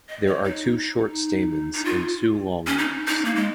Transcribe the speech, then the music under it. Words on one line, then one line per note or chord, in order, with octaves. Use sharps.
There are two short stamens and two long ones.
D#5
C#5
D#4
D#4
F4
C#4
D#4
D#4
A#3
G#3